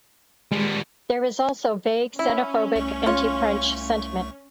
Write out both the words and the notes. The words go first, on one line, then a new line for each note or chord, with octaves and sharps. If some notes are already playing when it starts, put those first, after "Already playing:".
There was also vague, xenophobic, anti-French sentiment.
D#3 G3 G#3
C#4 E4
C2 A3 C#6
F4 C#5